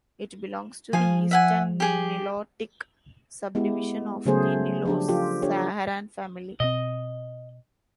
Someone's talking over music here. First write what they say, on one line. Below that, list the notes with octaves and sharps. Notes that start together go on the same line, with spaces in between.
It belongs to the Eastern Nilotic subdivision of the Nilo-Saharan family.
F3 F5 G#5
E5 F#5 G#5
G4 G#4
G#3 B3 E4 G4
C#3 F#3 A3 B3 G#4 C5
F3 D4 G4
F3 F4 G4 A4
D4 G4 A4 C#5
B2 C4 D#5